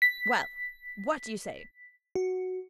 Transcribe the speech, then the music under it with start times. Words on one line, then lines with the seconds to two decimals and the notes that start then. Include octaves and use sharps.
Well, what do you say?
0.02 B6
2.15 F#4